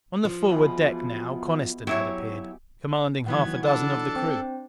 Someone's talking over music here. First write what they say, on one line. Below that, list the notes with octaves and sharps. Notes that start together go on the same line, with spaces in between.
On the forward deck now Coniston had appeared, commanding half a dozen of the crew.
F3
B2 E3 G#4
F#3 E4 G4 C#5 G#5
D#3 E3 F#3 B3 F#5 G#6
D4 A4 F#5 A5 B5
C4 C5 G5